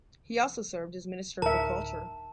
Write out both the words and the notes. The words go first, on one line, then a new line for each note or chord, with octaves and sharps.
He also served as Minister for Culture.
D1 A#4 E5 A5